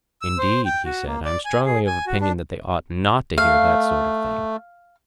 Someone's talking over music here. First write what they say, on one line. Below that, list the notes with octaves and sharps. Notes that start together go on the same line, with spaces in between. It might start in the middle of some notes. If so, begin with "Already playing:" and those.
Indeed, he said, I am strongly of opinion that they ought not to hear that sort of thing.
E6
C5
G5
F#4
A#3
D5
G#5
G#4
G#5
F#4
D4
A3 F5